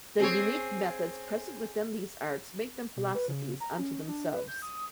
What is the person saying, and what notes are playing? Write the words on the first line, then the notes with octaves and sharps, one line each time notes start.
The unique methods present within these arts make them philosophies unto themselves.
C4 G#4 C#5
B2
B4
C#3
A#5
C#4
D4
B4
G6
D#6